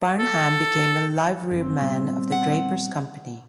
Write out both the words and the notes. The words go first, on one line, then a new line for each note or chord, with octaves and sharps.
Barnham became a liveryman of the Drapers' Company.
A4
F#1 F#2 C4
A#2 G3 B3
F#5